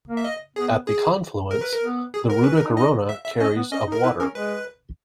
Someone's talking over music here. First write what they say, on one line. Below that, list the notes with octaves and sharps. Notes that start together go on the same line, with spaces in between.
At the confluence, the Ruda-Garona carries of water.
A#3
E5
D#5
B3 G#4
G#4
A#4
B4
A#4
B3
G#4
A#4
C#4 B4
A#4
D#4
D#5
E5
E5
C#4 D#5
B3
C#4 D#5
D#4
A#4
E4 B4
C#4 A#4
G#3 B4